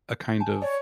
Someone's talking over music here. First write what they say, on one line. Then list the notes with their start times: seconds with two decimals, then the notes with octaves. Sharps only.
a kind of
0.21 G6
0.40 G#5 A5
0.62 C#5 D5